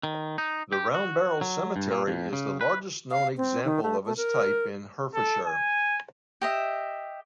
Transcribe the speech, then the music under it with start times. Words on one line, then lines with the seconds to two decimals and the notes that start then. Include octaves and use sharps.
The round barrow cemetery is the largest known example of its type in Hertfordshire.
0.03 D#3
0.38 D#4
0.72 G4
0.94 F#4
1.41 F#3
1.76 G2
1.91 A#2
2.07 F2
2.33 C#3
2.61 B4
3.11 F5
3.37 C4
3.65 D#3
3.83 A3
4.05 A3
4.17 A#4
5.14 A4
5.46 G#5
6.42 G4 D#5 E5